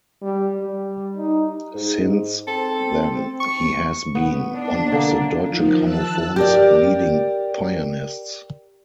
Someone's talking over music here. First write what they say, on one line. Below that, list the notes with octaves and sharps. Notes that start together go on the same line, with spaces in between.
Since then he has been one of Deutsche Grammophon's leading pianists.
G3
G3
D#4
G#2
C4 A4
C#6
B3
D4
D3 A#3
D#3 F3
A5 E6 F#6
G4 A#4 D5